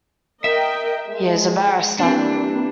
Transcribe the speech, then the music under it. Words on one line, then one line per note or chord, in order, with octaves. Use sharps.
He is a barrister.
A#4 D#5 E5 G5
G#3
E3 G3 A#3 C4 D4